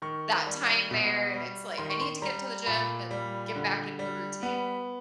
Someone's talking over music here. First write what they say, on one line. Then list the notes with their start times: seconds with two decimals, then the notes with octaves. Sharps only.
that time there and it's, like, I need to get to the gym and get back into the routine.
0.02 D#3 C#6
0.46 G3
0.91 B2
1.34 G3
1.78 D#3 C6
1.90 C#6
2.01 C6
2.22 G3 A#5
2.67 A#2 B5
3.11 G3
3.56 D3
3.99 G3
4.43 B3